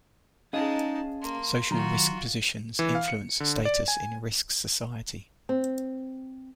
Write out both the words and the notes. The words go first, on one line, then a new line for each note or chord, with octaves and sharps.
Social risk positions influence status in risk society.
G#3 C#4 D#4 G#4 D#5 F5 A5
A#3 C6
D#3 F#3 F4 F#4 A#5
E3
F5
C#7
D3
D5
G#5
C4